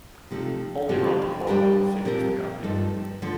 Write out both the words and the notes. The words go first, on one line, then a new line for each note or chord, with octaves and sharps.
"Only round the corner," said Mr. Guppy.
C3 F3 A3 D#4 A4
D3 F3 A3 C4 G4
G3 D4 G4 A#4
A#2 F3 C4 G4 A#4
G2 F3 A3 D#4 A4
D3 F3 A3